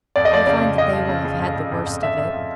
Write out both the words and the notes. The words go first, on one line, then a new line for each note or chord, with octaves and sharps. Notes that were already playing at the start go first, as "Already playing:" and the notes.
They'll find that they will have had the worst of it.
F2 D5
D#5
F3 D5
C#3 D5
C#3
F2 D#5
F3
C#3
C#3
F2
F2
F2
F2
F2 E5
F2
F3